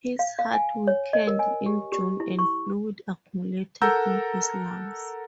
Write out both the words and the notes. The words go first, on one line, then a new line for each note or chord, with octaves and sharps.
His heart weakened in June, and fluid accumulated in his lungs.
F5
F5
G#5
C#5
D#5
A#4
G#5
G4
G4
E4
C#6
A4 A#4 F#5 A#5 E6 G6